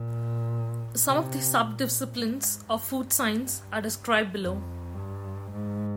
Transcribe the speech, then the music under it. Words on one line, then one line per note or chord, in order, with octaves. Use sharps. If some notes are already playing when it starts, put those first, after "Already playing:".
Some of the subdisciplines of food science are described below.
Already playing: A#2
C3
A#2
G#2
G2
F2
G2
G#2